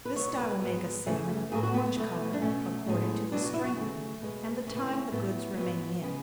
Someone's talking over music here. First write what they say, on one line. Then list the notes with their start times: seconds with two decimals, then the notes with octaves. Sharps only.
This dye will make a salmon or orange color, according to the strength of it, and the time the goods remain in.
0.05 B4
0.16 B2 F#3 B3 C#5
0.33 C#5
0.39 B4
0.62 G#2 G#3 B3
1.06 F#2 C#3 E3 A3
1.52 A2 F#3 B3 G#4
1.63 F#4
1.74 B3
1.86 B3
1.96 B2 F#3 A3
2.33 D4
2.41 B2 A3 C#4
2.86 A2 G#3 B3
3.32 B2 F#3 B3 D4
3.43 F#4
3.54 E4
3.65 F#4
3.76 C#3 F#3 A3
4.21 B2 G#3 B3
4.67 C#3 E3 A3 C#4
4.76 B3
4.86 C#4
5.12 A2 F#3 A3 B3
5.57 G#2 F#3 B3
6.02 C#3 G#3 B3